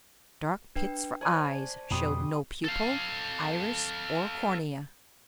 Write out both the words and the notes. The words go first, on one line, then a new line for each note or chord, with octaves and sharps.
Dark pits for eyes showed no pupil, iris, or cornea.
D4 B4 G5
C5 D5 G#5 A5 C#6
F2 B2 G3 C6 D#6
A4 F5